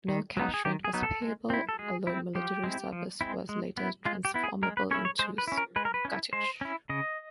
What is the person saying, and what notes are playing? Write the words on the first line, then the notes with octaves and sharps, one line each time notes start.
No cash rent was payable, although military service was later transformable into scutage.
D#3
F#3 B3 D#4
G#4
D#3 G4
G#4
F#3 B3 D#4
A4
G#3
C4 E4
A4
G#3 G#4
C4 E4
F3 G4
G#3 C4 E4
F3
G#3 C4 E4
G#3
B3 E4
G#3 F4
G4
B3 E4
G#4
G#3 A#4
B4
C#4 E4 C#5
C#5
G#3 C5
B4
C#4 E4
A#4
G#3 B4
A#4
B4
C#4 E4
G#3 C5
C#4 E4
C#3 D#5